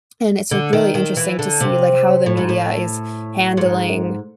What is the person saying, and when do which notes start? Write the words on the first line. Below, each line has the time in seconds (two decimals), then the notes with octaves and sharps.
and it's, like, really interesting to see, like, how the media is handling
0.51 D3
0.73 D#3
0.95 D#3
1.17 E3
1.39 D3
1.60 C3
2.26 A2
2.37 G#2
2.49 A2
3.57 G#2